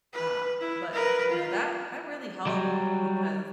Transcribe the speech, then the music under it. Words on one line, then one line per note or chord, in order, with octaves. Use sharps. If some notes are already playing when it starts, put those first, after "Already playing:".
Uh, but, you know, that that really helped because,
B4
E4
A#4 B4
F4
F#3 G3